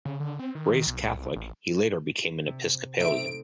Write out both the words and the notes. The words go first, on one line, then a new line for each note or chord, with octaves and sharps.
Raised Catholic, he later became an Episcopalian.
C#3
D3
C4
D#3
B1
C2
A1
C3
C3 A3 C4 D#4 E5 D7